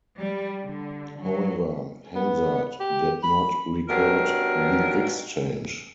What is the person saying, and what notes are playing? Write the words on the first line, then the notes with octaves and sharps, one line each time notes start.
However, Hansard did not record the exchange.
G3
D3
F#3
B3
G4
B5
G2 B2 C#4 A#4